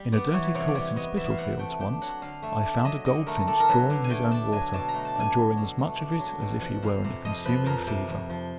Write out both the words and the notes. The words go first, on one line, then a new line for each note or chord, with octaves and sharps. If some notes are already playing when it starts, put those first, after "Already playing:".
In a dirty court in Spitalfields, once, I found a goldfinch drawing his own water, and drawing as much of it as if he were in a consuming fever.
Already playing: G3
B3 D5
E3 C#5
C3 C#5
D5
G3 C#5
B3 D#5
E3 E5
F5
C3 F#5
A3 G5
D4 G5
F#3 F#5
D3 F5
A3 E5
D4 D5
E5
F#3 D#5
D3 D#5
A3 A#4
D4 A4
A#4
F#3 B4
D3 F5
G#5
A3 G5
D4 A5
F#3 G#5
B2 A5
A#5
A3
A5
D4 G#5
F#3
B2
A3
D4
F#3
B2
F3 F#5
F2 F5
C3
F2 D#5
F3 B4
F2 A#4
C3
F2
F3